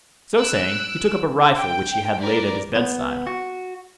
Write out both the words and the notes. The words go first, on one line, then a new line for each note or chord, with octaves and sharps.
So saying he took up a rifle which he had laid at his bedside.
E6 F#6 D7
G5
A#4 B4 D5
B3
F#4